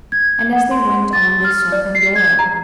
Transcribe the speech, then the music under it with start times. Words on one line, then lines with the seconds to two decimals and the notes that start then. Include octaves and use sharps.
And as they went on they saw Pandora.
0.12 G#6
0.53 F#5
0.71 C6
1.13 A6
1.44 F6
1.72 D5
1.95 C7
2.16 G#6
2.39 A#5